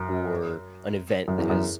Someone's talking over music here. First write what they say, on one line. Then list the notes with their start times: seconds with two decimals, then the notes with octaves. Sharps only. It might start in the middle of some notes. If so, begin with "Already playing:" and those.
or an event that has
Already playing: F#2
1.28 F#2
1.38 E2
1.50 F#2